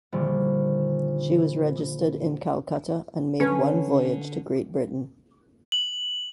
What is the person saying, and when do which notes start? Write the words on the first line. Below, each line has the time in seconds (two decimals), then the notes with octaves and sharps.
She was registered at Calcutta and made one voyage to Great Britain.
0.12 A#1 D3 D#3 G3
3.40 D3 C#4 B4
5.72 F#7